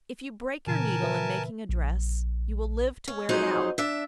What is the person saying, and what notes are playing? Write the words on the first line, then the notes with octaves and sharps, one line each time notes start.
If you break your needle in making a dress, you will live to wear it out.
A#2 C#3 E3 A#4 G#5 A5
B4 E5
A#1
C#4
F2 F#3 D#4 G#4 C5
D4 E5